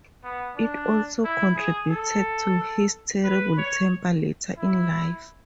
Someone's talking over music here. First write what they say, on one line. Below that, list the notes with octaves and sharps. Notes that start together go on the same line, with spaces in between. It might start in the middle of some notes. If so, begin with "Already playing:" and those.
It also contributed to his terrible temper later in life.
B3
D4
E4
G#4
A4
B4
C#5
E4